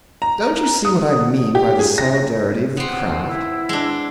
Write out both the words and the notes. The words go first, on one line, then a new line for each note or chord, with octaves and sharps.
Don't you see what I mean by the solidarity of the craft?
A#5
D#6
G4
G#4
A#6
B3 C4
E4
G#3 D4